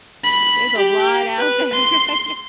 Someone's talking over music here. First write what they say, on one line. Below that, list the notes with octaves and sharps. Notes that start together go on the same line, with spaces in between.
There's a lot out there, yeah.
B5
G4
B4
C6